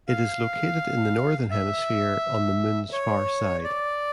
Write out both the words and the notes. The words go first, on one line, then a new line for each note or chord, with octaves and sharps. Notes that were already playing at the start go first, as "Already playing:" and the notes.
It is located in the northern hemisphere on the Moon's far side.
F5
E5
C#5
D5